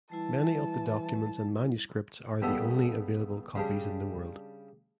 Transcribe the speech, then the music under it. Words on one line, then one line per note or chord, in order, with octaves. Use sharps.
Many of the documents and manuscripts are the only available copies in the world.
E3 G3 E4 A5
C#2 G3 B3 A4
C#3 G3 D4